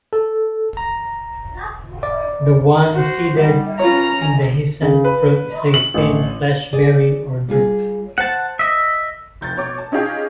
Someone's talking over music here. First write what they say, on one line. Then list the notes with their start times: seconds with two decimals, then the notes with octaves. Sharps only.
The one-seeded, indehiscent fruit is a thin-fleshed berry or drupe.
0.13 A4
0.77 A#5
2.03 D5
2.94 F#4 C5
3.37 G3 D#4 F#5
3.79 C#4 F4 B4 C#5 A#5
4.22 G#5
4.82 C#3
5.04 B4
5.74 F#7
5.94 A1
6.73 G#4 D5
7.48 G3 F4 G#4
8.18 C5 F#5 A5
8.59 D#5 E5
9.41 F1 G6 A6
9.56 B2 C#5 D6
9.78 A5
9.92 C#4 D#4 F4 G4 G#4